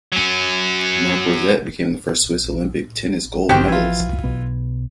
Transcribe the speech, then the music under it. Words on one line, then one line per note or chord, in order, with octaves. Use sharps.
Marc Rosset became the first Swiss Olympic tennis gold medallist.
F#3 C#4
G2 D3 D#3 C4 F#4 G4 G5
E3 F3 F4
B1 B2 B3